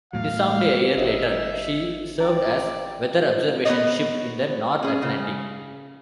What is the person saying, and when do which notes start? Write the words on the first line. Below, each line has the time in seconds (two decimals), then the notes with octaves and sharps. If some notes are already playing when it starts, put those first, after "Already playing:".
Disarmed a year later, she served as weather observation ship in the North Atlantic.
0.13 E2 A2 F#3 F5
0.97 G#1 D#5 E5
2.20 D5 G5 A#5
3.65 B3 A#4 C#5 D#5
4.83 C#4 G#4
5.02 C#3